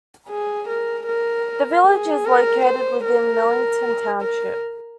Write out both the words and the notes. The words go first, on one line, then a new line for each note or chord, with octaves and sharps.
The village is located within Millington Township.
G#4
A#4
A#4
G#4
A#4
C5
A#4
A#4